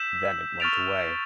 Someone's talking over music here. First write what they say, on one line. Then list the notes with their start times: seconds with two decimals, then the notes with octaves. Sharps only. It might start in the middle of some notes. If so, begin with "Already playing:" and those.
Then it went away.
Already playing: E6 G6 B6 E7
0.60 C#6 F6 A6 D7 F7